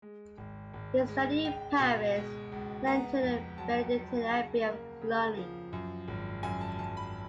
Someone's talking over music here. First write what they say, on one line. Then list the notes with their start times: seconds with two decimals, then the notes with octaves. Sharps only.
He studied in Paris and entered the Benedictine Abbey of Cluny.
0.02 G#3
0.37 G#1
0.73 G#1
1.08 G#3
1.45 C#2 G5
1.79 B2
2.16 G#3
2.52 C#2
2.87 B3 A#5
3.23 F2
3.58 F#3 A5
3.94 F#3
4.29 C#3
4.65 A#3
5.02 C#3
5.37 F3
5.73 F#2
6.08 G#1
6.43 F#2 G#5
6.61 A5
6.79 F#2 A5
6.97 B5